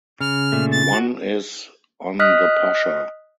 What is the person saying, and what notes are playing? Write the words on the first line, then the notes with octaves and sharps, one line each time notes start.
One is "On the Pascha".
C#3 F6
A#2 A3
A6
F#4
D#5 D#6 F6 F#6 B6